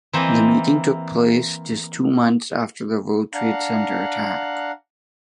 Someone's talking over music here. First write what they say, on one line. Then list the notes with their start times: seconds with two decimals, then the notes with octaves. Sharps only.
The meeting took place just two months after the World Trade Center attack.
0.13 E3 A#3 C4 C5 D#5
3.34 D4 F5 F#5 A#5 F#6